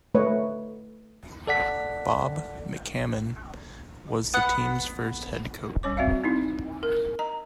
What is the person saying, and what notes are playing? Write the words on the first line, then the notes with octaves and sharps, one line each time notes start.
Bob McCammon was the team's first head coach.
A3 B4 C#5 D#5
A4 D5 F#5 B6
B3 F#5
G3 C#4 C#5 D6
C4 F#4 D5 E5 F5
C4 D#4 E4
A#4
D#5 A#5